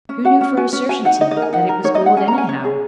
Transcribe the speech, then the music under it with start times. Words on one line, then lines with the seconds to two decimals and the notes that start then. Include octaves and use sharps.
Who knew for a certainty that it was gold anyhow?
0.09 C#4
0.25 F#4 F#5
0.41 C#4
0.57 F#4 G#5
0.73 C#4
0.89 F#4 G#5
1.05 D#4 F#5
1.21 D#4 D#5
1.31 D#5
1.36 A#4
1.42 G#5
1.52 D#4 F#5
1.69 A#4
1.84 D#4 C#5
1.95 D#5
2.01 D#4
2.06 F#5
2.16 C#4 G#5
2.28 A#5
2.32 C#4
2.38 G#5
2.49 C#4 C#5
2.64 G#4